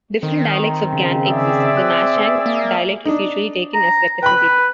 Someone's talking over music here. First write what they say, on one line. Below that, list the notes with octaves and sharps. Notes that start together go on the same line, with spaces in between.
Different dialects of Gan exist; the Nanchang dialect is usually taken as representative.
D#3 C4
C#3
G#4 D5 E5
D6 F#6
A#3
D4 D#4
A#5
B4 G5 B5